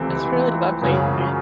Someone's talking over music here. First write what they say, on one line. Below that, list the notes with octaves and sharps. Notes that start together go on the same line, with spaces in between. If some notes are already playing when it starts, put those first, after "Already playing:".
It's really lovely, right?
Already playing: C#2 C3 E3 A3 C4
F#2 C#3 F#3 C#4